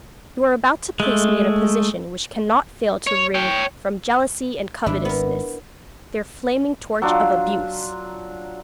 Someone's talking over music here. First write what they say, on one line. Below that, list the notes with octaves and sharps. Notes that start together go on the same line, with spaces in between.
You are about to place me in a position which cannot fail to wring from jealousy and covetousness their flaming torch of abuse.
G#3 A3
C#5
C#5 G5
G#1 D4 E4
B3 A#4
F#3 D4 F4